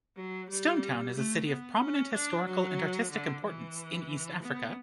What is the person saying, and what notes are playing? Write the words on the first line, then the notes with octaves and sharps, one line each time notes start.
Stone Town is a city of prominent historical and artistic importance in East Africa.
F#3
G3
A3
B3
C#4
D4
F#3
D3
E3
B3